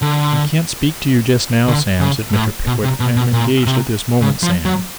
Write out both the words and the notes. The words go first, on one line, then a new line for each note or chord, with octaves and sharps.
'I can't speak to you just now, Sam,' said Mr. Pickwick. 'I am engaged at this moment, Sam.'
D3
D3
C#3
A2
B2
C3
B2
B2
A#2
C3
C#3
F3
F#3